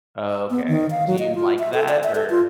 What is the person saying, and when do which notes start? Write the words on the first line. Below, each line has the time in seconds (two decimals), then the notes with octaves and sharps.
Oh, okay. Do you like that? Or
0.51 B3
0.68 D#3
0.91 F5
1.07 F#3
1.19 D#5
1.35 F4
1.59 E5
1.74 A4
1.88 D5
2.04 E5
2.15 A4
2.30 F4